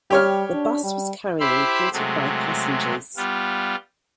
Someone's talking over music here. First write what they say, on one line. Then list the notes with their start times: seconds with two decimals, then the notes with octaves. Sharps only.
The bus was carrying forty-five passengers.
0.10 G3 G4 C#5 F6
0.53 D4
0.84 G3
1.40 E4 G4 C5 E5 B5 C6
1.93 C3 F#3 G#3 A3
3.16 G3 B3 F4